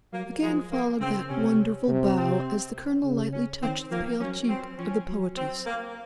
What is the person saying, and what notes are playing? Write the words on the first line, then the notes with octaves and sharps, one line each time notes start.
Again followed that wonderful bow, as the Colonel lightly touched the pale cheek of the poetess.
F#3 A#3
F3 G#3
A#3
C#3 C4
C3 C#4
C3
C4
C#3
C#4
D#3 C4
F3 A#3
F#3 C#4
C4
F3 C#4
F#3
C4
A#3